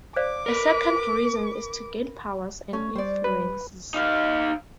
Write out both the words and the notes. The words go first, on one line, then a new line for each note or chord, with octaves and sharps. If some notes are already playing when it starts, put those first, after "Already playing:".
A second reason is to gain powers and influences.
C5 D5 F5 D6
A#4 B4
A3 C#4
G3 C5 D5
B4
D#4 F5